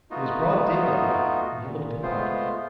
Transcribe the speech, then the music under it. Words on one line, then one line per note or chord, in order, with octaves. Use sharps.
It was broad daylight now, and he looked about.
A3 B3 D#4 F4 F#4
A#2
G#3 A3 B3 F4 C5